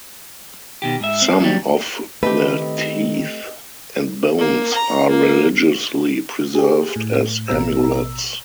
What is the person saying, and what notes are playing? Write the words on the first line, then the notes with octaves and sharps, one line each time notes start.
Some of their teeth and bones are religiously preserved as amulets.
B2 D#3 G4
G#2 E5
C4
F#3 G3
D#3 A3 C4 G4 B4 D#5
A#3
A#5
A#3
G4 G#4
A2
A1 B2 A#5 E6